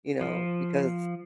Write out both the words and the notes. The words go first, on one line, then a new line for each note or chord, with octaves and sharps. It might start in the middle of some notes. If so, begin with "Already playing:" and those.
you know, because
F3